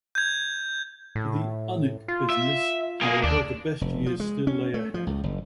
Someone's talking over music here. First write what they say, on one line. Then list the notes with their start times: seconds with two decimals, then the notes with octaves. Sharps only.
For the Unic business, however, the best years still lay ahead.
0.15 G6 G#6
1.15 A2
2.08 F4
2.30 E5
3.02 A#3 G#4
3.24 D#2 D4
3.81 F1
4.06 F3
4.20 G#3
4.47 C#4
4.74 A3
4.94 F3
5.07 C#2
5.24 F#1